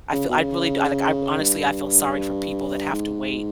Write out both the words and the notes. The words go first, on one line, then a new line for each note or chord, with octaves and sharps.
I feel I really I don't like, honestly, I feel sorry for people that have to wait.
C#3
B2
C#3
G2
G#2